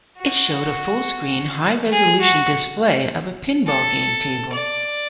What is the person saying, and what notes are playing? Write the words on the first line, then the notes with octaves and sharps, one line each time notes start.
It showed a fullscreen high resolution display of a pinball game table.
F#4
G#4
F#4
A4
D5